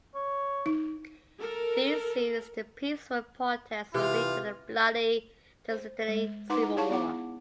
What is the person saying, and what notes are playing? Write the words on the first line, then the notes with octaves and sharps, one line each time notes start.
These series of peaceful protests would lead to the bloody Tajikistani Civil War.
C#5
D#4
A4 A#4
C3 E3 F4 G4
C5
G#3
D#4 B4 F#5 C6 D6
E4 A#5
E4 G#4 C#5 F5 A5 C#6
B3 E4 F#5 D6